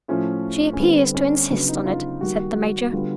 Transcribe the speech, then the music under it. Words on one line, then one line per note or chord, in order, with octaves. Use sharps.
"She appears to insist on it," said the Major.
A2 F3 A3 C#4
C#4
D3 G3 B3 C4
C#4
C#3 F#3 B3 D4
D#4
F4
D#3 G3 A#3 F#4
F#4
D3 G3 B3 F4